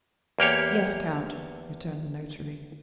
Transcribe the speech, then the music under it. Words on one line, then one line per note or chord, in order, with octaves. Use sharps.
"Yes, count," returned the notary.
E2 A#3 G4 C#5